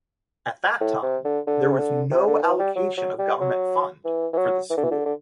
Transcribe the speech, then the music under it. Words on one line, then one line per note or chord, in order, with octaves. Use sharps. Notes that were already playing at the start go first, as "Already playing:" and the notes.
At that time there was no allocation of government fund for the school.
A2
C3
D3
D3
C3
D3
C3
D3
E3
G3
F#3
F#3
G3
F#3
E3
E3
F#3
E3
D3
E3
D3
D3